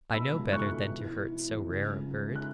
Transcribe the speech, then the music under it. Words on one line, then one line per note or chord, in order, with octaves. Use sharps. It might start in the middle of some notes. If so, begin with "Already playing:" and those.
I know better than to hurt so rare a bird.
B2 B5 E6
C#2
C#2 C#6 F#6
B2
E3
E3
E3
E2
C#3
C#2
C#2
C#3
F#6